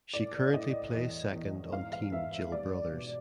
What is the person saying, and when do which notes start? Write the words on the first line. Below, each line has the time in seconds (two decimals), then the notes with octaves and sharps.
She currently plays second on Team Jill Brothers.
0.14 A2 D5
0.53 A2 D#5
0.94 E2
1.33 E2
1.73 G#2 F5
1.93 F5
2.12 G#2 E5
2.32 E5
2.52 G3 D5
2.92 B2